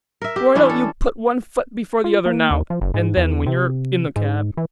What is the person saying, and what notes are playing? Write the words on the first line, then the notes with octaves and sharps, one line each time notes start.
Why don't you put one foot before the other now and then when you're in the cab?
A#4 E5
G4
E3 C#4 D4 E4
A4
F4
A#3
D#2
F3
F#1
G#2
E2
C3
G#2
E3